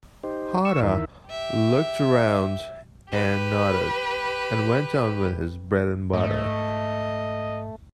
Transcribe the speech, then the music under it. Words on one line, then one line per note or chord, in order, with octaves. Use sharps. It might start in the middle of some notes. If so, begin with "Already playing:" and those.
Hatta looked round and nodded, and went on with his bread and butter.
D#4 G4 C5
C#6 E6
E2 D#3 E4 A#4 E5
G4 E5
G4 B4
G#2 A3 D#5